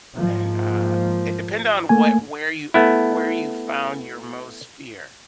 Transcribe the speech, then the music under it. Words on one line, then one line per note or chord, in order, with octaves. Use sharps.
and, uh, it depended on what where you where you found your most fear.
G#2 F3 A#3
A3 A#3 G#5
A3 B3 E4